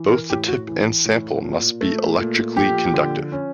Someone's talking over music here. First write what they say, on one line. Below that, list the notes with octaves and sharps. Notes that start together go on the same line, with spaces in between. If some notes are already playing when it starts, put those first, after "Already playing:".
Both the tip and sample must be electrically conductive.
Already playing: E3
A#4
A2 G4
F#4
E3
A2
A#2
A3
A#2
F3 G4
D3
C#4